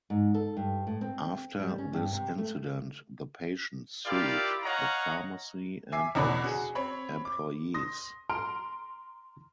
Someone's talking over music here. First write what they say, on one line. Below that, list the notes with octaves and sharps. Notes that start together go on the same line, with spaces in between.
After this incident, the patient sued the pharmacy and its employees.
G#2
A4
G2
A2
C4
G3
C#4
G2
C3
A3
E4 F4 G4 A#4 D5 F5
C#5 D#5 F5 F#5 A#5
E5 G#5 D6 C7
E2 B2 D3 C#5 D5 B5
F#4 G#4
C4 C#5 B5
D6
C6 D#6 A#6
A#5 C6 F6 D7